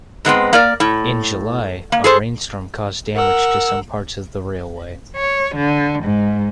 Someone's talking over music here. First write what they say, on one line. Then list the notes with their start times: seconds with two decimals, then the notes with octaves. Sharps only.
In July, a rain storm caused damage to some parts of the railway.
0.25 G#2 G#3 B3 C4
0.53 A#3 A#4 D5
0.80 A2
1.92 A#3
2.04 G#4 A4 C5
3.15 A#4 F#5 E6
5.16 C#5
5.55 D3
6.03 G#2